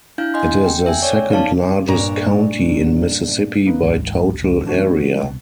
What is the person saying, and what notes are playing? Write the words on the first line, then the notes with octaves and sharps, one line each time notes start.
It is the second-largest county in Mississippi by total area.
D4 E4 F5 G6
D#5 G#5 C6
G5
E5 G5 G#5
C#5 D5
D#4 D5 F5 A5
G2 A#2 D4 C#5 A#5
A#3 D#4 B4
A1 D2 G#2 E3 F#3
C#2
A#2 E3 G#3 A3 D4 F#4
C2 B2